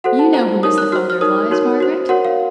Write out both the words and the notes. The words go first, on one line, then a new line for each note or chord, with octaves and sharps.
You know who is the father of lies, Margaret?
F#4 A4 C5 F#5
A5
F4 C5 A#5
D#4 A#4 C#5 D#6
F#6
F#4 C5 F6
F6
D#4 A#4 C#5 D#6
D#4 F#4 A#4 C#5
F#4 C5
F#4 A#4 C#5 F#5
F5